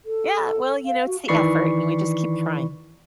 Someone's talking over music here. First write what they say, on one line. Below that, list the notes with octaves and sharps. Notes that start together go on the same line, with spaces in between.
Yeah, well, you know, it's the effort, and we just keep trying.
A4
F5
F#4
D#3 E3 D5 B5 C#6 C7